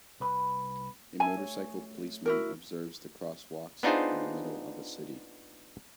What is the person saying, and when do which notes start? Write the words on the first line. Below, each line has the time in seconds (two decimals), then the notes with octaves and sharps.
A motorcycle policeman observes the crosswalks in the middle of a city.
0.20 C2 B4 B5
1.20 E5 G#5 A5
1.36 A3 C#5
2.26 E4 F#4 A#4
3.83 B3 D4 D#4 F4 G#4 C5